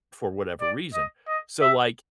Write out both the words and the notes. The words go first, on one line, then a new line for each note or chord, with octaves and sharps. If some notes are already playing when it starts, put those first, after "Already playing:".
for whatever reason. So, like,
D5
D#5
D#5
E5